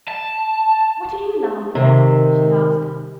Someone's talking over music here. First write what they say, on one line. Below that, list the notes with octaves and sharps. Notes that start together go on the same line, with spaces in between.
"What are you laughing at?" she asked her.
A5
C3 D#3